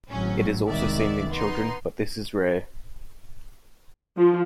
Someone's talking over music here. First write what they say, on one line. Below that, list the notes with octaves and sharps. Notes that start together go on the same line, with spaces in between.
It is also seen in children, but this is rare.
G#1 A2 F#3 C#4
C2 D#3 G#3 D5 E5
B3 D#4 C6
F3